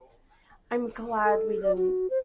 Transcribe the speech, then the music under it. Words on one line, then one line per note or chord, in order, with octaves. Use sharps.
I'm glad we didn't.
A4
D5
F#4
C5